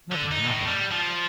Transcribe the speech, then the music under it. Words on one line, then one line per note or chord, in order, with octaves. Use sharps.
Nothing happened.
D3
D#4
A2
G3
F3